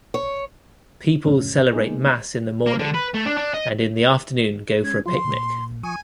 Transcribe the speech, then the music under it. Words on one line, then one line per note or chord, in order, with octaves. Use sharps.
People celebrate mass in the morning, and in the afternoon go for a picnic.
C#5
F2 A2 C#3 C#4
G#3 A#3 B3 D#4 G#4
A#3
D3
B4
A3
D4
D4
D#5
G#3 C#4 G#6
F3 F#3 F4 C6
A#2
F3 G#5 C#6 D#6